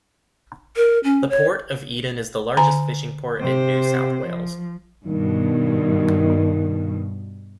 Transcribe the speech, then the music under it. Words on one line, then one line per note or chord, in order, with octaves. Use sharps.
The Port of Eden is the largest fishing port in New South Wales.
A#4
C#4
C#5
D3 G#5 A#5
C3 C5
F3
G2 B2 D#3